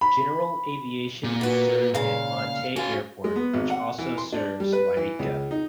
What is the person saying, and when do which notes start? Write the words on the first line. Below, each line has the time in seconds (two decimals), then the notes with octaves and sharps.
General aviation is served at Montague Airport, which also serves Yreka.
0.01 B5
1.24 A#2
1.41 B3 F#4
1.95 A#2 C#3 F5
2.76 C#4 F#4 F5
3.24 G#3
3.36 B3
3.53 G#1
3.70 F#5
3.98 E3
4.18 C6
4.32 D4
4.60 G3
4.73 B4
4.97 E3
5.19 C#2
5.51 D#4